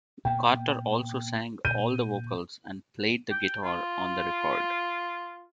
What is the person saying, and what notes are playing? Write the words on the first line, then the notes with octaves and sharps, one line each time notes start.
Carter also sang all the vocals and played the guitar on the record.
A#2 A#3 B3 G5
A#2 G6 D#7
G5
F4